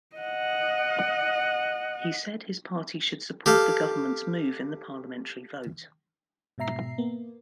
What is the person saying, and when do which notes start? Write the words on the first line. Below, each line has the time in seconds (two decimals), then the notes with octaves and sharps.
He said his party should support the government's move in the parliamentary vote.
0.16 D#5 F#5
3.46 G4 A4 F5
6.58 G#2 B2 E5 A#5 C7
6.98 A#3 B3